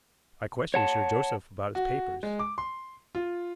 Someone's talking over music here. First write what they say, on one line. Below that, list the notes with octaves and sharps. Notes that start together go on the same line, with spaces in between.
I questioned Sir Joseph about his papers.
C#5 F#5 A5
F#4
G#3
D6
C6
F4